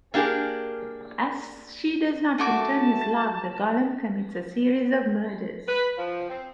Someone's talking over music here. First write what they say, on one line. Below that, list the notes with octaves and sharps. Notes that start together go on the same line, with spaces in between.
As she does not return his love, the golem commits a series of murders.
A#3 D4 G4 G#4 A#4
A3 F#4 A5 D6
B4
F3
C4